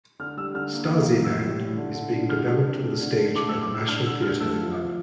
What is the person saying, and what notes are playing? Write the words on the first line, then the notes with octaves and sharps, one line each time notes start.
"Stasiland" is being developed for the stage by The National Theatre in London.
D3 F6
G3 E6
D3 F6
A#3
A#3
E3
A2 E6
G3
A2
D3
D3
D3
G3 F6
D4
C3
A3
D3
A3
A3 D6
E6
A2
D6
A2 E6
D4 F6
D3 E6
G3 F6
A3 E6
F3
F3